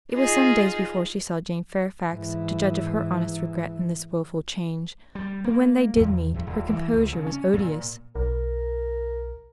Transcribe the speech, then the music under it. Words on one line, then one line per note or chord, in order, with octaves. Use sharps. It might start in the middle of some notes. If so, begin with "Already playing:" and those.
It was some days before she saw Jane Fairfax, to judge of her honest regret in this woeful change; but when they did meet, her composure was odious.
D#4 F4 G#4
G#2 E3
G3
A#3
E2
E2
D#1
E3
C#2
C#3
C#4
A#2
B1 A#4